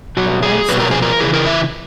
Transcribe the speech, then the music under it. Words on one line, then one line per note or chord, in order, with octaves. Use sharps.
Their own sauna.
B2 F#3 F#4
G#4
B2 F#3 B4
A#4
G#4
A#4
C#3 E3 G#4
A#4
E5